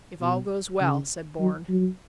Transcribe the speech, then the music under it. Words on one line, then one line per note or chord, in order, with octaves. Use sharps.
"If all goes well," said Bourne.
B2
C#3
F#3
F#3